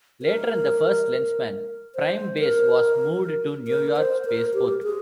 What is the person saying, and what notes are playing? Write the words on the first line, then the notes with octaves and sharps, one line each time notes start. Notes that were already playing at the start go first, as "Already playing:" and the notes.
Later in "First Lensman" Prime Base was moved to New York Space Port.
A#4
C5
A#4
A#4
C5
A#4
G4
G#4